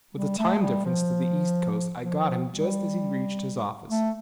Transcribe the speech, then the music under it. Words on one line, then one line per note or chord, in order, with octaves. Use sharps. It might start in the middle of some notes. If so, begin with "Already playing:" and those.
With the time-difference to the East Coast, I got him just as he reached his office.
G3
A3
G3
F3
F3
G3
A3